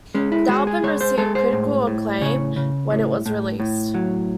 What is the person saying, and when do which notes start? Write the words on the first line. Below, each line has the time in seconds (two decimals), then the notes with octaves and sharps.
The album received critical acclaim when it was released.
0.15 G#3 C#4
0.32 E4
0.49 G#3 F#4
0.67 G#4
0.83 G#3 C#5
1.01 C5
1.18 G#3 A4
1.35 C5
1.52 A2
1.87 A2
2.21 C#3 C#5
2.56 C#3
2.91 A2
3.26 A2
3.60 A2
3.94 F#3